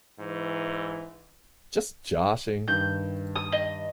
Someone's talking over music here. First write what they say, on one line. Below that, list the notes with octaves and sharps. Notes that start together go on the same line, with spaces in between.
Just joshing!
G#2 E3
G2 D#3 G6
D#6
D#5